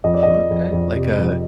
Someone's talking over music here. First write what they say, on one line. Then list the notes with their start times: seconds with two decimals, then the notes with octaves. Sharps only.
Okay, like a
0.04 F2 D#5
0.14 D5
0.23 F2 D#5
0.50 F2
0.72 F2
0.96 C3
1.18 F2